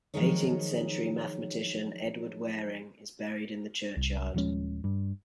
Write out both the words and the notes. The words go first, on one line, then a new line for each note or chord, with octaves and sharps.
Eighteenth-century mathematician Edward Waring is buried in the churchyard.
D#3 F3 F#3 G#3 D#4 C#5
C2
D#1 F3 G#3 C#4
G2